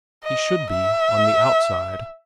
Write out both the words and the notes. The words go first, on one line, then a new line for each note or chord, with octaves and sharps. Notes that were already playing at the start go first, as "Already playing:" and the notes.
He should be on the outside.
D#5
E5